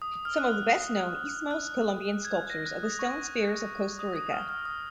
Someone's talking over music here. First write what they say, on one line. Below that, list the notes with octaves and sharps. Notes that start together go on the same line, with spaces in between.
Some of the best-known Isthmo-Colombian sculptures are the stone spheres of Costa Rica.
D#6
D#6
F6
F#6
F#6
G#6
A#6
F#6
D#6
C#6
D#6
D#6
F6
F6
D#6